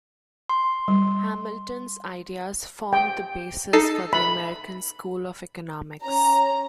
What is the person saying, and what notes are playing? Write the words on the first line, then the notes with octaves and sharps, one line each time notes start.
Hamilton's ideas formed the basis for the "American School" of economics.
C6
G3
G5
D#4 A4 C7
B5
C#4 A#5